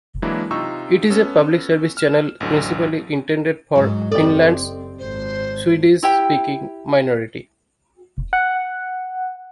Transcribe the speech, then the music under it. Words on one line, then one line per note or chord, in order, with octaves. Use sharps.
It is a public-service channel principally intended for Finland's Swedish-speaking minority.
E3 F#3 G#3 A#3 D4 E4
C3 D#4 F4 C#6 E6
B3 C#4 A4
F6 E7
A1 E2 D3 F#3
G#2 F#3
F#1 C4 G4 A4 D5 D#5
G#1 C5
E4 G4 G5
F#5